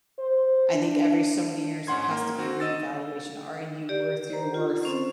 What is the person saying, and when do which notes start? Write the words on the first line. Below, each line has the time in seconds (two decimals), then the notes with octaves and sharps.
I think every, so many years there has to be a reevaluation Are you worth your worth
0.19 C5
0.74 D4
1.87 G#2 C#4 F#5 C6 G#6
2.11 A#3
2.38 C4 F#4
2.60 D#5 E6 A6
3.89 G4 D5
4.30 C5 A#5
4.54 F4
4.83 C4 C#4 C5